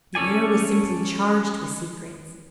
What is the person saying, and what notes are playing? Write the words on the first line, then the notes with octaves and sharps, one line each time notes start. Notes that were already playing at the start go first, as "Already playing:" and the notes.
The air was simply charged with secrets.
C#4 A4 D5 G#5